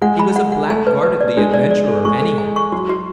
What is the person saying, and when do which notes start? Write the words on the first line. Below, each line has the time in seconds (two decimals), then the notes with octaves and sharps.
He was a blackguardly adventurer, anyhow.
0.02 G#3 F#5
0.19 B5
0.36 F#5
0.52 F#5
0.70 A3 G#5
0.87 B4
1.03 B4
1.21 D5
1.37 G#3 D4
1.54 D5
1.71 D5
1.88 A4
2.05 G#3 C#6
2.22 A4
2.38 G#5
2.56 C#6
2.72 F#3 F#4
2.89 F#4